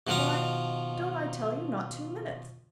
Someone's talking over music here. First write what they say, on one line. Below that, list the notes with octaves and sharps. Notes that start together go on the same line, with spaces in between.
Why, don't I tell you, not two minutes.
B2 D#3 F3 F5 A#5